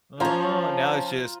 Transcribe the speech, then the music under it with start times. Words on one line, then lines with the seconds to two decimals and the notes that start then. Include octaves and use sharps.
Oh, and now it's just
0.20 F3 C#4 F4 C5 C#5 A5 A#5